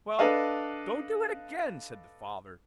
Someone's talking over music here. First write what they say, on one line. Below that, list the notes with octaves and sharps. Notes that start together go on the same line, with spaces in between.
"Well, don't do it again," said the father.
D4 A4 B4 D#5 F5